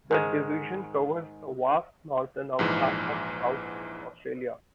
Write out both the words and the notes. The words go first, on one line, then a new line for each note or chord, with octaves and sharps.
The division covers the vast northern outback of South Australia.
G#2 D#3 G#3
A#1 G#2 E3